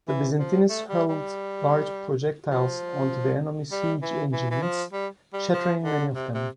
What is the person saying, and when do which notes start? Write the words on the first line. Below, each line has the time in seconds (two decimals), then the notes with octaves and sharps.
The Byzantines hurled large projectiles onto the enemy siege engines, shattering many of them.
0.08 E3
0.39 F3
0.69 A3
0.89 G3
1.09 G3
2.51 F3
3.72 G3
4.02 E3
4.33 E3
4.51 E3
4.62 F3
4.93 G3
5.33 G3
5.54 F3
5.83 D3
6.14 C3
6.35 C3